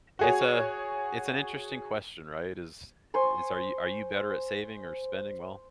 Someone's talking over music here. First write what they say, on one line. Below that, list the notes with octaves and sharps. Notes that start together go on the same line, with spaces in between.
It's a it's an interesting question, right? Is is, are you are you better at saving or spending well?
F#4 G#4 C#5
C5 G#5 C6 C#6